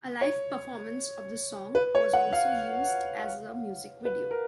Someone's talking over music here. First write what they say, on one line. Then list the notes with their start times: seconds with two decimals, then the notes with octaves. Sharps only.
A live performance of the song was also used as a music video.
0.21 C#5
1.75 B4
1.95 C#5
2.13 F#5
2.33 F5
4.05 B4
4.31 A#4